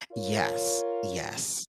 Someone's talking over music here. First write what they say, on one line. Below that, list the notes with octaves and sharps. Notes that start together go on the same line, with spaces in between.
Yes, yes.
F4 A#4 C#5